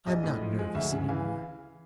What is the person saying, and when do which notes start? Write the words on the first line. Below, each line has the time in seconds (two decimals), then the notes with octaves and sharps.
'I'm not nervous any more.
0.06 A#1 D#5
0.24 A2
0.41 F3
0.59 G#3
0.75 D2 E5
0.92 C#3
1.09 E3 F5